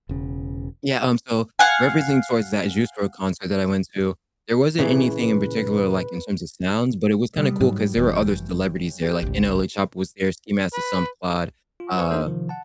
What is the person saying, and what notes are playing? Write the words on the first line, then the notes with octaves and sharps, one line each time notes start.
Yeah, um, so referencing towards that Juice WRLD concert that I went to, there wasn't anything in particular, like, in terms of sounds, but it was kinda cool 'cause there were other celebrities there, like, NLE Choppa was there, Ski Mask the Slump God, uh,
E1 C#3
F5 F#5 G#5
A#2 C#3 E3 B4
C3 G3 B3 D#6
G#2 F#3
F1 F#2 E3 G5
G4
G#1 C#2
B4
F4
B4 C5 G#5 C#6
A#3 D4 D#4 A4 C5
C3 D#3 F3
F#5 A5